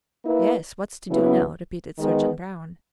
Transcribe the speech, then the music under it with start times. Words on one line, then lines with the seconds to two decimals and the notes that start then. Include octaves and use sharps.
"Yes, what's to do now?" repeated Sergeant Brown.
0.23 A#3 E4 B4
1.10 C#3 F#3 B3 E4 B4
1.97 D#3 G#3 B3